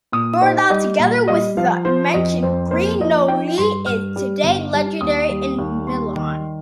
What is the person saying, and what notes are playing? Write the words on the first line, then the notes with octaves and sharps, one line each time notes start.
Nordahl, together with the mentioned Gre-No-Li is today legendary in Milan.
A#2 D#6
D#4 C5
G3 D#5
A#2
G3 D#5
F3 F5
F3 C5
F2 D#5
F2 C5
A#3 C5
F3 D#5
D#4 G5
G2 C6
G2 F6
G3
G1
G3
D#2 D#6
G3
D#2
G3 C6
D#3